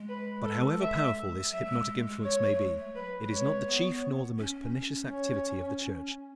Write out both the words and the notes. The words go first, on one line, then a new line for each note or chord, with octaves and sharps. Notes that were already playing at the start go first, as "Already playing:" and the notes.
But however powerful this hypnotic influence may be, it is not the chief nor the most pernicious activity of the Church.
Already playing: G#3
B4
A4
E5
F#3 E5
A3
G#3
G#3
G#3
G#3 C#5
F#3
A3
G#3
A3
F#3 B4
F#3
G#3 C#5
B3
C#4
C#5